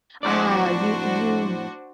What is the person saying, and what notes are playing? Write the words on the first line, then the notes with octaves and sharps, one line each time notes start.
Ah, you you
F2 A2 D4 F#4 C5 D5